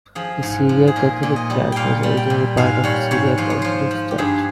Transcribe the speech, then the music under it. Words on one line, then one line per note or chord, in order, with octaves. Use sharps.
The Syriac Catholic Church was originally part of the Syriac Orthodox Church.
F3 G#4
G#2
F3
G#4
A#2 A#4
A#2
D#5
G3
A#2 F5 G5
G3
G5
A#2
G#2 F5
G3 C#5
G#2 C#5
F3 C5
C#5
F3 C5
F3
G4
G2 G#4